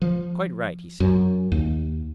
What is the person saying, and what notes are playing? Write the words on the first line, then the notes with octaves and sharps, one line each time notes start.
Quite right, he said.
F3
F#2
D#2